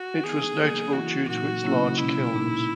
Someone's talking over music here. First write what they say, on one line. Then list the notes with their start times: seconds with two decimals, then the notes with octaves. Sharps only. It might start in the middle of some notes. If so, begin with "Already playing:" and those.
It was notable due to its large kilns.
Already playing: F#4
0.24 E3 B3 D#4 G#4
0.59 C#3 F#3 A#3
0.93 E3 A#3 E4 F#4
1.27 A#2 F#3 A#3 D#4 F#4
1.63 C#3 F#3 A#3 C#4 E4
1.97 B2 G#3 C#4 E4
2.32 A#2 A#3 D#4